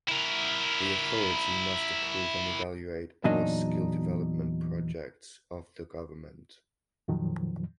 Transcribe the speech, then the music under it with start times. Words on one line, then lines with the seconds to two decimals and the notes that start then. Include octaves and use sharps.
The authority must approve and evaluate all skill development projects of the government.
0.08 E4 A#4
3.24 E2 A#2 F#3 D4 D#4 D#5
7.08 F2 A#2 D#3 F3 F#3